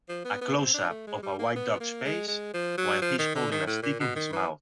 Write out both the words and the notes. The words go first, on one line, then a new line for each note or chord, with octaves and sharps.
A closeup of a white dog 's face while he is holding a stick in his mouth.
F3
B3
B3
C4
D4
A3
G#3
G3
A#3
B3
A#3
G#3
G#3
F3
F#3
F3
D#3
D3
D#3
A2
A#2
B2
D#3
E3